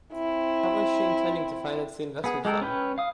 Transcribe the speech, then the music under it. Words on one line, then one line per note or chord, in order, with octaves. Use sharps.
How is she intending to finance the investment fund?
C4 E4
B3 G#4
G#3 G4 A4 A#4
C#4 B4 G5
F5 D#6